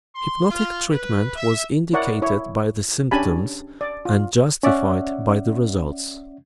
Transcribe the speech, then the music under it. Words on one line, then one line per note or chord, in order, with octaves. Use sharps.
The hypnotic treatment was indicated by the symptoms and justified by the results.
C6
F4
B4
E5
E4 A#4 C#5 D5 F#5
E4 C#5
C#4 D4 G4 G#5 A5 B5
D5
F4
C#4 D5 E5 F#5